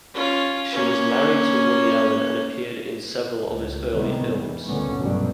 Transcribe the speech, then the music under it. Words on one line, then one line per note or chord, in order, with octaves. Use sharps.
She was married to Woody Allen and appeared in several of his early films.
C#4 F4
A#3 C#4
C#2
C3 D#3 G3 G#3 B3
E2 G3
C#2 A#2 D3 A3 B3 C#4
C2 G2 B2 F#3 G3